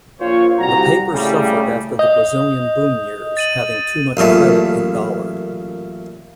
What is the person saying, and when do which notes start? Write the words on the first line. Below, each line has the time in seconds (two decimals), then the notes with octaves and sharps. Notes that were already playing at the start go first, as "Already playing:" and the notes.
The paper suffered after the Brazilian boom years having too much credit in dollar.
0.20 A#1 A#2 F4 C5 C#5
0.59 C2 F#4 G4 A#5
1.13 A2 C#3 G3
1.99 D#5 D#6 G6
3.37 A6 D#7 F#7
4.17 A1 F#2 A#2 A3